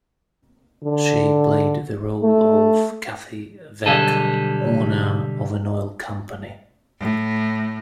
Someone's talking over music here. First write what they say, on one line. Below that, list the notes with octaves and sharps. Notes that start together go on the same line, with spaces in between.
She played the role of Kathy Veck, owner of an oil company.
D3
A3
B1 G#2 D3 G3 G#4 A4
A2